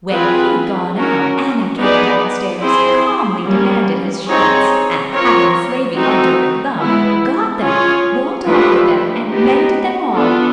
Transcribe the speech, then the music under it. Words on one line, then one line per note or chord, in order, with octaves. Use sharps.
When he'd gone out, Anna came downstairs, calmly demanded his shirts, and, having the slavey under her thumb, got them, walked off with them, and mended them all.
C4 F4 G#4 B4
C#4 F#4 A#4
B3 D#4 G#4 B4 D5
C4 E4 G#4 C5
G3 A#3 C#4
C4 D#4 G#4 C#5
C4 F4 A#4 C#5
A3 C4 D#4 F#4
G#3 B3 E4
C#4 F4 G#4 C#5
F3 A3 D4 G4 B4
B3 D#4 G4
B3 D4 F4 A4